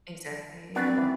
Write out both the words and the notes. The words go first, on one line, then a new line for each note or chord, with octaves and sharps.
Exactly, yeah,
B3 C4 D4 F#4
G#1 F#2 E3